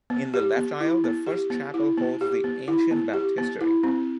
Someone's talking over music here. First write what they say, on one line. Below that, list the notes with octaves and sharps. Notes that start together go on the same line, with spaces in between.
In the left aisle, the first chapel holds the ancient baptistery.
B3
G4
B3
E4
B3
G4
B3
E4
B3
G4
B3
E4
B3
G4
B3
E4
C4